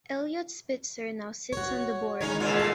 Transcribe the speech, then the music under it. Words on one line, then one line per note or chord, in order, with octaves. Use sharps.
Eliot Spitzer now sits on the board.
F#4 C#5
D#3 E3 G#3 C#4 D#4 C#5
A#2 C#3 F4
A4